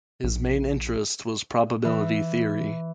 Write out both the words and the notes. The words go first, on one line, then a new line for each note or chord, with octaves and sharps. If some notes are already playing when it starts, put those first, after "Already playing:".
His main interest was probability theory.
A#1
E3